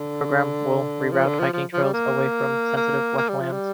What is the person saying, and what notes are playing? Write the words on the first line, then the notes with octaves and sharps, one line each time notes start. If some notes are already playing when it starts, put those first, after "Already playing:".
The program will reroute hiking trails away from sensitive wetlands.
Already playing: D3
F3
D3
F3
F3
F3
G3
A#3
A#3
A#3
G3
F3
G3